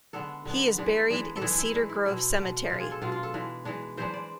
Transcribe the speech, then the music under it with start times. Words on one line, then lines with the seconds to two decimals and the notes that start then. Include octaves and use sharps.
He is buried in Cedar Grove Cemetery.
0.13 D3 G#3 B3 D4 A4
0.45 D3 G#3 B3 D4
0.78 E3 G#3 D4
1.10 E3 G#3 D4
1.36 A4
1.41 E3 G#3 D4 G#4
1.58 E4
1.74 E3 G#3 D4
1.89 E4
2.06 B2 G#3 D4 E4
2.38 B2 G#3 D4
2.70 B2 G#3 D4 F4
2.80 G#4
2.91 A4
3.02 B2 G#3 D4 F4
3.12 F4
3.23 A4
3.34 E3 G#3 D4
3.65 E3 G#3 D4
3.97 E3 G#3 D4 C5
4.14 D5